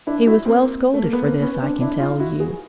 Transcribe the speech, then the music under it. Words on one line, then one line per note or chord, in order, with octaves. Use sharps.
He was well scolded for this, I can tell you.
D4 E4
E4 F#4
A#3 C4
A3
A#3
B3
A#3 C4
B3 C#4
C4 D4
D4 E4
D#4 F4
E4 F#4
F#4 G#4